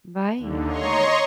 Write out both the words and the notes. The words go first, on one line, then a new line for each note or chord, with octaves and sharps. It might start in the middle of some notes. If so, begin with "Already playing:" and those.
Right, yeah,
D#2 D3
C#5 D#5 A#5 C6 C#6